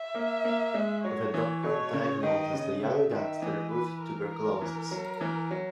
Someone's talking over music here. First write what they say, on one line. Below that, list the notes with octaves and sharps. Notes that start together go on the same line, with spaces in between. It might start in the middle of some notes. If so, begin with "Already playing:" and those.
The doctor diagnoses the young gangster with tuberculosis.
Already playing: E5
A#3
A#3
G#3
F#3 C#5
E3
B2 C#5
C#3
D#3 D#5
C#3
C#3 E5
D#3 E5
E3 D#5
B4
A#4
A#4
E3
F#3
E3
F#3